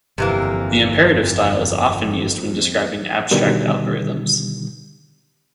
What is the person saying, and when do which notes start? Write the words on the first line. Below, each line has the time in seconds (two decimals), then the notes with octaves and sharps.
The imperative style is often used when describing abstract algorithms.
0.18 G1 F2 C3 E3 A#3
3.31 B2 D3 D#3 G3